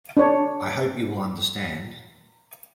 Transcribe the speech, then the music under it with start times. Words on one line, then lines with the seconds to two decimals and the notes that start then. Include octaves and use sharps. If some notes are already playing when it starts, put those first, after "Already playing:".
I hope you will understand.
0.17 D4 C#5